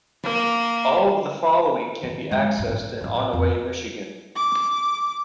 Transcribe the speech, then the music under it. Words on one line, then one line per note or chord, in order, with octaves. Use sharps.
All of the following can be accessed in Onaway, Michigan.
A#3
D#3
G#3
A1 G2
D#4
A1 E4
F2
D6